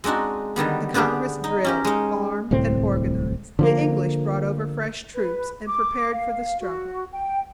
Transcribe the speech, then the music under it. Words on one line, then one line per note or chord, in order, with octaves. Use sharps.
The Congress drilled, armed, and organized; the English brought over fresh troops and prepared for the struggle.
G#3 C4 D4 D#4 F#4
D3 D#3 G3 B3
D3 B3 D4 G4 G#4
D#4
C#4 G4 A#4
G#3 D#4
D1 C2 A2 C4
D3 F3 A#3
B4
D6
F5
F#4
G5